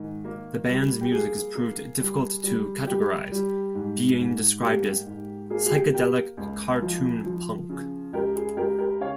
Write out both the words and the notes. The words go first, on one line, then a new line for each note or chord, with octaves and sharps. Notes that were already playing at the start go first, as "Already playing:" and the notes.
The band's music has proved difficult to categorize, being described as "psychedelic cartoon punk".
Already playing: G#2 D#3
A#3
G3
G4
A#3 G#4
A#3
G3
G3
G3 G4
G3
G#2
G#2
A#3 G4
G#2
A#3 G#4
G#4
G4
A#3 G4
C#2
F3
F3
C#3
C#2 G4 A#4
G#4
C#2 G4 A#4
G4 A#4
C#3 C#5 F5